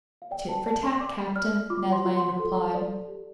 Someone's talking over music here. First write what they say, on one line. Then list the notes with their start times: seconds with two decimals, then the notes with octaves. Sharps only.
"Tit for tat, captain," Ned Land replied.
0.22 F5
0.31 D5 G5
0.49 A5
0.65 D5 A5
0.83 C6
1.00 D5 D6
1.36 D5 F6
1.70 F4 D6
1.92 C6
2.05 F4
2.17 C6
2.39 A4
2.74 D5
3.08 G4